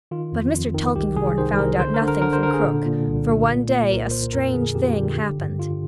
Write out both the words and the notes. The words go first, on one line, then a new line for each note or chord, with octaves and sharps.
But Mr. Tulkinghorn found out nothing from Krook, for one day a strange thing happened.
D#3 F4
F2
F2
D#3
C2 G4
C2 G#4
D#3 C5
C2 A#4
D3 C5
A#4
D3
A#4
D3 A#4
C5
D3 A#4
G#4
A#2
A#2
C2
A#2
A#2
A#2
C2 A#4
A#2 C5
F2 A#4
D3 G#4
F2 G4
F4
D3 G4
D3
G2
D3 F4